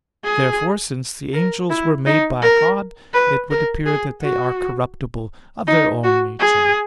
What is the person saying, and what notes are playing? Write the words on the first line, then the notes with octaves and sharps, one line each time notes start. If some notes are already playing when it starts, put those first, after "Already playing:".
Therefore, since the angels were made by God, it would appear that they are corruptible of their own nature.
G#4
A#4
E4
D#4
A#4
B4
A#4
G#4
F#4
D#4
F#4
G#4